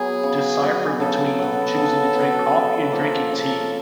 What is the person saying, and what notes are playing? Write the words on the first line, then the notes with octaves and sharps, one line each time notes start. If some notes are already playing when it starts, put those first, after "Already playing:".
decipher between choosing to drink coffee and drinking tea?
Already playing: F#3 B3 G#4
C#3
F#3 B3
C#3 A4
F#3 B3
C#3
F#3 B3
C#3
F3 A#3
C#3